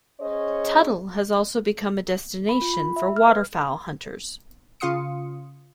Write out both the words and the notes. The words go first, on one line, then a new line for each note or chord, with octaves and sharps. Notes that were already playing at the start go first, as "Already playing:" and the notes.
Tuttle has also become a destination for waterfowl hunters.
C#4 G#4 C5 C#5 D#5
B5
F4
B5
E5
F6
B4
C#3 F4 F5 C6 D#6 C#7